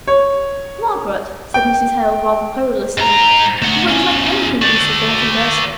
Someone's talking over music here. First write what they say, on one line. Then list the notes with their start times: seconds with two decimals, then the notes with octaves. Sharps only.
'Margaret!' said Mrs. Hale, rather querulously, 'you won't like anything Mr. Thornton does.
0.07 C#5
1.54 G5
2.98 G#2 A#5
3.62 A3 F#5
3.88 E2 C#4
4.62 F#4 D5